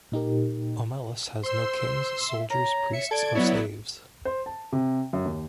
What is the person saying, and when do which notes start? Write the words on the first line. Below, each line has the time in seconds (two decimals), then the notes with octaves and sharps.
Omelas has no kings, soldiers, priests, or slaves.
0.12 A#2 D#4 G4 A#4
1.43 C5 C6 E6
2.29 E5
2.50 C#5 A#5
2.93 E5 C#7
3.11 A4 D5 G#6 D7
3.35 F#3 B3 E4 C#5
4.25 C5
4.46 A5
4.72 C3
5.13 F#2
5.25 D#2